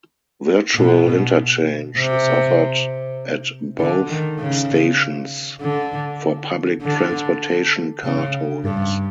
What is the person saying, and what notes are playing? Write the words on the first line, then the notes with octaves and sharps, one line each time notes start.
"Virtual interchange" is offered at both stations for Public Transportation Card holders.
B2
C3
D3
D#3
C#3
D3
D3
C#3
G2